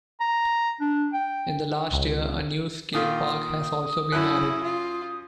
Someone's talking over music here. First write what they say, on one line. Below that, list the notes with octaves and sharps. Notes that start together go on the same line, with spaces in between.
In the last year a new skatepark has also been added.
A#5
D4
G5
C#2
A#2 D#3 F4 D#6
F#2 E4 F#6
F4